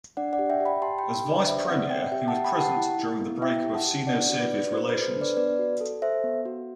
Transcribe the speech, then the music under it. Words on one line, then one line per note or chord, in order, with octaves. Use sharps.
As vice premier, he was present during the breakup of Sino-Soviet relations.
D4 D5 F#5
D5 F#5
G4
E5 G5
G4
G5 B5
G4 A5 C6
G5 B5
G4
G5 B5
D4
B4 D5
G4 C5 E5
C4 D5 F#5
C4 E5 G5
G4 E5 G5
F#5 A5
G4
G5 B5
G4 F#5 A5
E4
E4
B3
E4 E5 G5
G4
F#5 A5
G4
D4 D5 F#5
F#4
B4 D5
D4
F#4 C5
B4
A4
C5
D4
B4 D5
B3 B4 D5
F#4
A4
A4 C5 E5
B3
F#4